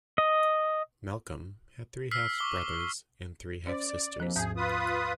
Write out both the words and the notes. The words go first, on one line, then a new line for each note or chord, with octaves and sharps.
Malcolm had three half-brothers and three half-sisters.
D#5
E6 F6 B6 C7
C#6 D6 G7
C#4 C5 D5
D#2 F3 C4 C5
D#2 G#2 G#4 G6
F4 B4 D#6